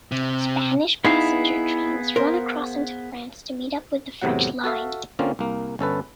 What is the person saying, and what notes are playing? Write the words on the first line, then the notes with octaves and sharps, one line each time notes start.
Spanish passenger trains run across into France to meet up with the French line.
C3
B3 D#4 E4 G#4 F5
A#4 C5
E2 A2 C3 F#3 F#5
F#4 A4 E5 F5
D3 A#3 C4 C#4 F4
C2 A#3
G1 C#4 A4 B4